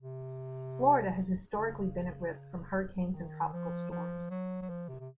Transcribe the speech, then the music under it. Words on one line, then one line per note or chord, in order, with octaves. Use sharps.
Florida has historically been at risk from hurricanes and tropical storms.
C3
C#3
D#3
F3
F3
F#3
F#3
F3
C3
C3